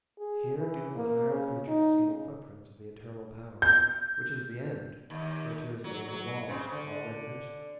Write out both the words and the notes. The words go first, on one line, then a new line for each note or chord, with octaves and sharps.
Here do the higher creatures see the footprints Of the Eternal Power, which is the end Whereto is made the law already mentioned.
G#4
E3
A#3
C#3
D#4
C#3
G6
D#2
F#3
F#3
C#3 C4
D3